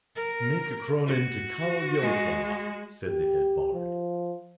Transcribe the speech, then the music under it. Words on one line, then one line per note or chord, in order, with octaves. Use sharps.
Make a cronan to Conall Yellowclaw,' said the head bard.
A#4
F#4
G#3
G4
F3